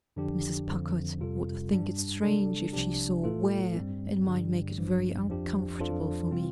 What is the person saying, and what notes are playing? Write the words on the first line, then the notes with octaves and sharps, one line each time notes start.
Mrs. Packard would think it strange if she saw where, and might make it very uncomfortable for me.
F2 D3 F3 D4 G4
F2 D3 F3 C4
F2 C3 G3 F4 A4
G2 G3 D4
C3 G3 D4 A4
C2 C3 F3 D4 G4
A2 A3 F4 A4
G2 G3 C4
G2 D3 G3
A1 G2 F3
F2 F3 D4 G4
F2 F3 D4 F4 A4
C3 G3 C4 F4